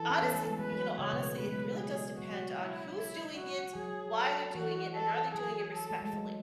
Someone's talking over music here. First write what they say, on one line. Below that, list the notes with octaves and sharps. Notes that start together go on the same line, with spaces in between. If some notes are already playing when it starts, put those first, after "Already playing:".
Honestly, you know, honestly, it really does depend on who's doing it, why they're doing it, and are they doing it respectfully.
Already playing: E3 A4
C#4
B3
A3
G#3
F#3 B4
F#3
C#3 C#5
B2 B3
A3
G#3 B4
F#3
G#3
G#4
F#3 F#4
E4
E4
F#4
F#3 G#4
A4
E3 F#4
A4
F#3 G#4
A4
A3
G#3
F#3